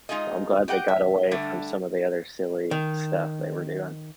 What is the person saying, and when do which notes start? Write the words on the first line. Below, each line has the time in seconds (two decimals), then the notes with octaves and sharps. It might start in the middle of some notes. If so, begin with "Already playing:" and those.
So I'm glad they got away from some of the other silly stuff they were doing.
0.09 G#3 D#4 F4 G#4 D#5
0.68 G4 D#5 F#5 G5
0.88 E5
1.31 D3 G3 A3 D4
2.71 D#3